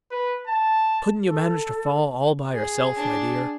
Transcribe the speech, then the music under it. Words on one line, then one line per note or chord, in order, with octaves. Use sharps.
"Couldn't you manage to fall all by yourself, my dear?"
B4
A5
A4
G#4
D4 A5